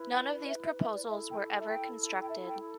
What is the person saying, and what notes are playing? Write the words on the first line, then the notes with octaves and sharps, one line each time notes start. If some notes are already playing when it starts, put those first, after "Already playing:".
None of these proposals were ever constructed.
Already playing: E4 B4
G5
D5
D5
E5
E5
E5
D5
E4 A4 E5
G5
G5
E5
G5
G5
E5
G5